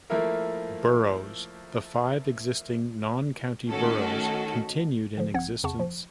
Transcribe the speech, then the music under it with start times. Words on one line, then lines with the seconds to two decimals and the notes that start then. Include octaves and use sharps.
Boroughs: The five existing non-county boroughs continued in existence.
0.10 F3 A3 A#3 E4 A#4
3.70 D#3 A3 C#4 F#4 A4
5.17 D3 F3
5.34 A#1 F3 C4 F#5 G#6
5.64 F2 C#3 F#5 A5 C#6
5.79 F3